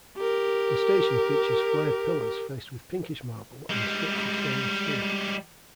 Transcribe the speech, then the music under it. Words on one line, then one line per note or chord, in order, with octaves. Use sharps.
The station features flared pillars faced with pinkish marble and strips of stainless steel.
G4 A#4
G3 G#3